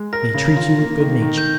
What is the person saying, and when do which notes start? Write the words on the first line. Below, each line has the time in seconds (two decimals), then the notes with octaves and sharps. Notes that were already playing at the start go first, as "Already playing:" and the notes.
They treat you with good-nature.
Already playing: G#3
0.13 A#4 A#6
0.34 C#3
0.56 F4
0.78 A#3
1.00 D#3
1.22 D#3
1.38 G6